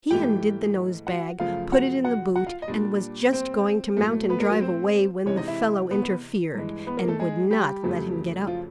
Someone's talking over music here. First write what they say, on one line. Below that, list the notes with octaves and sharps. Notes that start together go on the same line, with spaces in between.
He undid the nose-bag, put it in the boot, and was just going to mount and drive away, when the fellow interfered, and would not let him get up.
G#2 E3 A3 G4 G5
F#4 F#5
F#2 C#3 F3 A3 F4 F5
F#4 F#5
F#4 F#5
F#4 F#5
F4 F5
D#5
A#2 G3 D4 D5
C4 C5
A2 F#3 A3
B3 B4
A#3 A#4
F#3 F#4
C4 C5
C3 E3 G#3 C#4 C#5
D#4 D#5
E4 E5
B3 B4
G2 E3 G#3
B3 B4
A#3 A#4
A3 A4
G#3 G#4
G3 G4
F2 C#3 F#3 A3
F3 F4